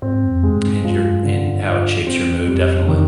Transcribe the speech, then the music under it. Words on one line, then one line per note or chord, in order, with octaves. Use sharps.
and your and how it shapes your mood, definitely.
G#2 C4
F#2
F2
G#3
G2
G2 F3
D3
F4
C4
F2 G3
D#3